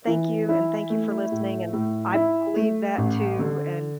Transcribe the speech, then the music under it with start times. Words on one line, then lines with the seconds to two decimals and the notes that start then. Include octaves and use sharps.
Thank you, and thank you for listening, and I believe that too, and
0.07 E3
0.49 E4
0.90 A3
1.32 A2
1.73 A2
2.14 E4
2.56 A3
2.98 A1
3.39 D3